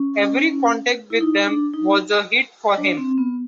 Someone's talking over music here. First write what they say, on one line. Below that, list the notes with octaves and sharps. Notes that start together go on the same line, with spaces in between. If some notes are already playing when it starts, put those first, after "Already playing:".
Every contact with them was a hit for him.
Already playing: C#4
E4
D#4
D4
D#4
D4
C4
B3